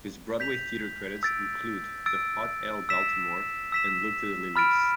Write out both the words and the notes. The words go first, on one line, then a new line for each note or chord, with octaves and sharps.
His Broadway theatre credits include "The Hot L Baltimore" and "Look to the Lilies".
G6 B6 F7
E6 A6 D7
E6 A6 D7
E6 B6 E7
E6 B6 E7
B5 F6 A6 D7